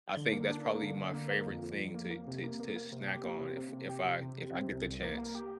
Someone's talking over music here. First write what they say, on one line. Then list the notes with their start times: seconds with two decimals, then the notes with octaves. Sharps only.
I think that's probably my favorite thing to to to snack on if if I if I get the chance,
0.17 D3
0.32 A#3
0.50 D4
0.65 A#3
0.82 D3
0.97 D3
1.14 A#3
1.30 A#3
1.46 F2
1.62 F2
1.78 F2
1.95 A#3
2.11 A#3
2.27 C3
2.43 A#3
2.60 A#3
2.76 A#3
2.92 C3
3.08 G4
3.24 A#3
3.40 C3
3.57 C3
3.73 C3
3.89 G4
4.05 C3
4.21 C3
4.38 C3
4.54 C3
4.70 C2
4.86 C2
5.02 A#3
5.18 A#3
5.35 G4